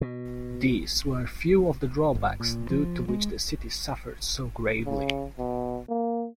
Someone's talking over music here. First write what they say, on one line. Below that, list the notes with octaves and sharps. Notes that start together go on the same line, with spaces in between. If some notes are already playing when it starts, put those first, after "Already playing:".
These were few of the drawbacks due to which the city suffered so gravely.
B2
G1
A#2
F3
G#3
C#3
B2
A#3